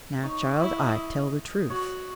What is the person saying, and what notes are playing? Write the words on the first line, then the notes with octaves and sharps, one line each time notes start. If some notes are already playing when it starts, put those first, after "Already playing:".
Now, child, I tell the truth.
D#4 C#5
D#5
E4 E5
D#5
D#5
F#4 C#5